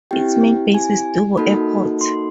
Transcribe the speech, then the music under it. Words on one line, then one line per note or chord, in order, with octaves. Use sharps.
Its main base is Dubbo Airport.
C4 E4 G4 G5
G#5
A#3 D#4 F#4 A4 B5
C6